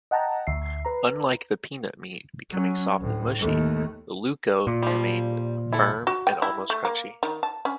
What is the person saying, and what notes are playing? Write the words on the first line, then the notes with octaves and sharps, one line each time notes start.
Unlike the peanut meat becoming soft and mushy, ulluco remain firm and almost crunchy.
D#5 F#5 G5 A5 A#5
D2 E5 C7
B4 A#5
F#3 C#4
D2 A2
D#2 A3
A#2
F3 G3
E4 A4
F#4
G5
E4
A3
A#3
D#3
A5
C#4